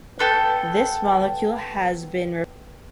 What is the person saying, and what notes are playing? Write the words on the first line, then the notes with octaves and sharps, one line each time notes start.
This molecule has been reported to have broad-spectrum antimicrobial activity that includes human pathogens.
B3 A4 G5 G#5